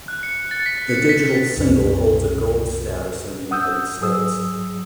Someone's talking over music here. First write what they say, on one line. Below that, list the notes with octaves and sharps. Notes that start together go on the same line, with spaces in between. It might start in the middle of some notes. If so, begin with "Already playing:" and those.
The digital single holds a Gold status in the United States.
F#6
C#7
A6
B6
C#7
B6
C2 F#2 B2 C4
F#5 D#6 E6 G6
G#2 F#3 G#4 D#6 E6